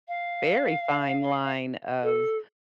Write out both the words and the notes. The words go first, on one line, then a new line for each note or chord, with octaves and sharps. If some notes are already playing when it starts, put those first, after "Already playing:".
very fine line of
F5
A4